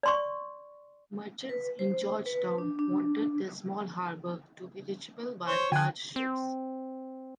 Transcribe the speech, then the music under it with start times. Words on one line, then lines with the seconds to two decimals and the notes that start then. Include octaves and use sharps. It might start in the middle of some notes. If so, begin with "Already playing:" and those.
Merchants in Georgetown wanted their small harbor to be reachable by large ships.
0.03 D5 C6 C#6
1.49 B4
1.79 C5
2.26 B4
2.58 D4
2.79 D4
5.47 C5 C#5
5.72 D3 G5 G#5 F#6
6.16 C4